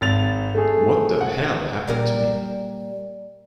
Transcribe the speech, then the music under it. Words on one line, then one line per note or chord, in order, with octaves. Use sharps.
What the Hell Happened to Me?
G#1 A6 F7
A3 G#4
F#5
A#2 G3 A#4